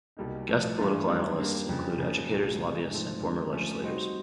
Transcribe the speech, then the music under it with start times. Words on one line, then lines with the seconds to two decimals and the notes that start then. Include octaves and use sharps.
Guest political analysts include educators, lobbyists, and former legislators.
0.17 C2 B2 G3 A#3 D#4
0.48 A2 F3 A3
0.78 G2 E3 A3 D4 F4
1.08 F#2 D#3 G3 C4
1.39 G3 A#3 D4
1.69 F2 C#3 F3
1.99 C#3 F3 A#3 D4
2.30 C2 A#2 F#3 A3
2.60 C3 E3 G#3
2.90 G#2 F3 A3 C4
3.20 F2 D3 F3 G#3 C4
3.52 F3 A3 C#4
3.82 G3 C4 D#4 F#4